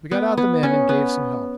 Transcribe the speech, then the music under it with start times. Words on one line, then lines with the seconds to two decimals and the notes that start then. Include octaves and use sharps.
We got out the men and gave some help.
0.11 B3
0.38 B3
0.63 C#4
0.89 B3